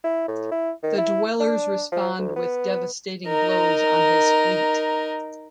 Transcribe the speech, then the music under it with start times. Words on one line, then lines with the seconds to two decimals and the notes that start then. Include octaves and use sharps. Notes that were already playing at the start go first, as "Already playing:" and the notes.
The Dwellers respond with devastating blows on his fleet.
0.04 E4
0.28 A2
0.51 E4
0.83 D#3
0.98 E4
1.40 D4
1.92 F3
2.19 D2
2.36 B3
3.28 D#4 A#4